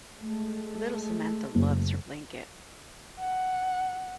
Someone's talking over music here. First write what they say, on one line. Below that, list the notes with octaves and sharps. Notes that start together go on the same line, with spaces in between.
Little Samantha loves her blanket.
G#3 A3
F#1
F#5